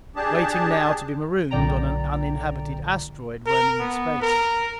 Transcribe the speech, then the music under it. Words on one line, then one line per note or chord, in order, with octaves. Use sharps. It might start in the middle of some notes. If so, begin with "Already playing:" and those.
Waiting now to be marooned on an uninhabited asteroid roaming in space.
D4 G4 G#4 A5
B1 A#2 D3 D5 G5 A#5
A#4
B3
A#4